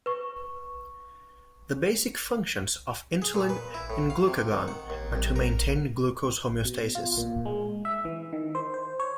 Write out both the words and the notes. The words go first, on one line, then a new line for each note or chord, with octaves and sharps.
The basic functions of insulin and glucagon are to maintain glucose homeostasis.
B4 C#6
G#4
A#2
B4
E4
A2
F5
C3
D#3
F#5
D#2
C2
A#4
B2
F4
A#2
G#3
E5
E3
D#3
C5
C5
C#5